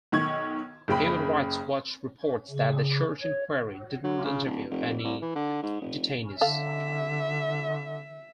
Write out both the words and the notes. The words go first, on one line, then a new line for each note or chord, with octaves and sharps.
Human Rights Watch reports that the Church inquiry didn't interview any detainees.
B1 D#3 C#6 G#6
F#1 C#3 G5 B5
C#3
C#5
F#3
C#3
D1
F1
C2
E3
D3
G#2
F1
D3 A4 E5 F5